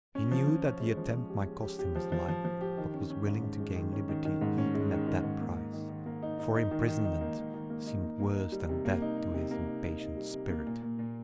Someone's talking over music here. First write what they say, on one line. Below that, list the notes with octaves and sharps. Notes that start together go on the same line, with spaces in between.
He knew that the attempt might cost him his life, but was willing to gain liberty even at that price; for imprisonment seemed worse than death to his impatient spirit.
C#4
F3
F3
C#4
G#3
F3
F3
G4
G#3
G4
G4
F3
F3
F3
F3
G4
D#3
C#4
C#4
G#2
G#2
G#3
D#3
C#4
D#3
D#3
G#2
C#4
G#3
D#3
D#3
G#2
A#3
D#4
D#3
D#3
A#3
D#4
D#4
D#4
D#3
D#3
D#4
A#3
D#3
D#3
A#3
D#4
A#3
A#3
D#4
G3
C3
A#3
D#4
D#4
C3
A#3
D#4
D#4
D#4
G3
C3
A#3
A#2
A#2
A#2